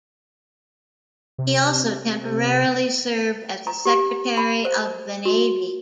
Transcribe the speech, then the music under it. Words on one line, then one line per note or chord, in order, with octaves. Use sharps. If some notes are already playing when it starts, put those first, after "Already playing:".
He also temporarily served as the Secretary of the Navy.
C3
A#5
G4
B5
C5
F#4